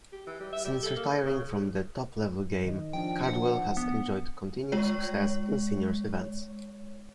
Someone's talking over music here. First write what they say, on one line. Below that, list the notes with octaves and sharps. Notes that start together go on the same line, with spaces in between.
Since retiring from the top-level game, Cardwell has enjoyed continued success in seniors events.
G4
E3
G3
E5
G3
A4
A#3
C#3
C#3
D#3 D#5
F3 D4 G5
F#5
B3
G#3 C#5